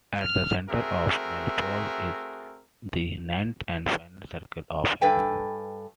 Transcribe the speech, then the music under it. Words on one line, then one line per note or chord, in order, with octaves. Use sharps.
At the center of Malebolge is the ninth and final circle of hell.
F6
A3 C4 F#4 G#4 A#4 E5
G2 A4 B4 G5 G#5